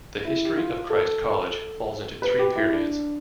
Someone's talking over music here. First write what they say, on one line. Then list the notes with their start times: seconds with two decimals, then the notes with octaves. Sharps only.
The history of Christ College falls into three periods.
0.25 E4
0.45 G4
0.57 F4
0.90 A4
2.22 B4
2.39 G4
2.56 E4
2.72 D4
2.89 D4